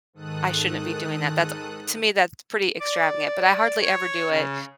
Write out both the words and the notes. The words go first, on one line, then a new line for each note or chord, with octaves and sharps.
"I shouldn't be doing that," that's to me, that's pretty extravagant, but I hardly ever do it,
G#2 D#3 A4 D#6 F#6
D5
C#5
C#3